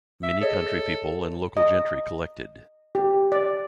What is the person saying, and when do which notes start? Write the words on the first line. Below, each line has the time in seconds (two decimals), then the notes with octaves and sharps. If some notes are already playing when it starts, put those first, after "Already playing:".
Many country people and local gentry collected.
0.23 E5
0.41 G#4 A4 C#5 D#5
1.57 D#5
2.95 G4
3.32 D5